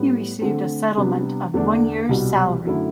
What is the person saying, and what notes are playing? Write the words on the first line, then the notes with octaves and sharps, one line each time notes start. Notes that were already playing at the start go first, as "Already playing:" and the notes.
He received a settlement of one year's salary.
Already playing: A2 G3 B3
D3 A3 C4
C3 G3 B3 D4
E2 D3 A3 D4
C2 B2 G3
F#2 D3 A3 E4